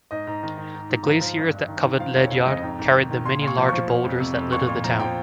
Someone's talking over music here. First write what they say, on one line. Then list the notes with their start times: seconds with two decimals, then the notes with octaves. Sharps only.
The glaciers that covered Ledyard carried the many large boulders that litter the town.
0.11 G#2 D#5
0.27 G#2
0.43 D#3
0.58 D#3
0.74 G#2
0.90 G#2
1.05 F3
1.21 F3
1.37 G2
1.52 G2
1.68 D#3
1.84 D#3
1.99 F3 F5
2.16 F2 C#5
2.31 C#3 F5
2.47 F2 D#5
2.63 G#2 G5
2.79 G#2
2.94 D#3
3.11 D#3
3.25 A#2 C6
3.42 A#2
3.47 C#6
3.58 F3
3.69 F3 C#6
3.89 F3
4.04 F2
4.20 C3
4.36 F2
4.52 A#2 C#6
4.67 A#2 C#6
4.84 F3 A#5
4.99 F3 G5